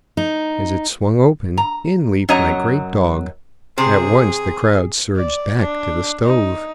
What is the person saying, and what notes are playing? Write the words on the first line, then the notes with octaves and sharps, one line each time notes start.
As it swung open, in leaped my great dog; at once the crowd surged back to the stove.
D#4
A#5
F#2 F#3 C#5 D#5 A#5
C3 G#4 C5
D5
D4
D#4